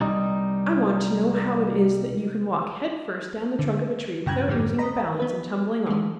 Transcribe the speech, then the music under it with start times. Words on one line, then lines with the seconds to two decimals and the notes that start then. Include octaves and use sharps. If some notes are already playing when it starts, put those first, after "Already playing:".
"I want to know how it is that you can walk head first down the trunk of a tree without losing your balance and tumbling off."
0.01 C2 G3 D#4
3.59 D3
4.26 G2 C#3 G5 A#5 F#6 G#6
4.48 F2 G#2 D3 G3
4.78 D#5 A#5 B5
5.20 B3 B4
5.87 E3 G#3